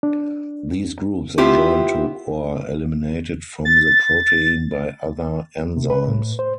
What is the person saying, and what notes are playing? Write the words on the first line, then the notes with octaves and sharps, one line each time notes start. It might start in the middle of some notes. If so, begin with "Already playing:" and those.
These groups are joined to or eliminated from the protein by other enzymes.
D4
B3 C4 E4 F4 G4
A6
C3
B4
A2
C5